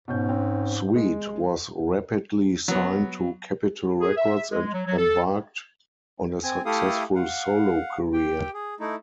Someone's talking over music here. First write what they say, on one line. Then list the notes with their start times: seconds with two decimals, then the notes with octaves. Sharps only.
Sweet was rapidly signed to Capitol Records and embarked on a successful solo career.
0.08 G#2 B2 C#4 G6
0.29 C4 C#4
0.96 G#3
2.68 F#3 B3
4.00 G#4
4.17 E5
4.50 G#3
4.73 F#3
4.86 F#3
4.97 A4
6.43 C4 G#5
6.65 A3 E4 G4 A4 F5 D#6
7.15 F5 F#5
8.13 G4 G5
8.54 G#4
8.80 A3 D#4 E4